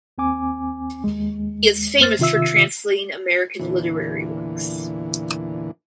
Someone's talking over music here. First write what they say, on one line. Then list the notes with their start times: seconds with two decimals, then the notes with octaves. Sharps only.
He is famous for translating American literary works.
0.18 D#2 C4 G#5 D6
1.04 D#2 G#3
1.99 F#2 A#3 C5 F6 A6
2.19 C3 D#3 F4 E5 E6
3.59 E2 A#2 D3 E3